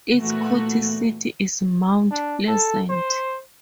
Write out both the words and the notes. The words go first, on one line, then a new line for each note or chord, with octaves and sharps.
Its county seat is Mount Pleasant.
A#2 E3 A3 B3 F#4
D4
A4
C5